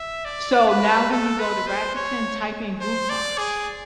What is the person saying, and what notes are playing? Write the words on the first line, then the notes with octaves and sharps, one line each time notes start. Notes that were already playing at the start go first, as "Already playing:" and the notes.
So, now when you go to Rakuten type in Groupon.
Already playing: E5
D5
B4
A4
B4
C5
C#5
C5
D5
G#4